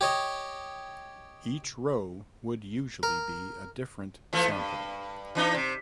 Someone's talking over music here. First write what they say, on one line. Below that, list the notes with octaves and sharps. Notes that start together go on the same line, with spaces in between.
Each row would usually be a different sample.
G4 C#5 D#5
A#4
E3 F3 A3
G2
E3 D4 D#4
C3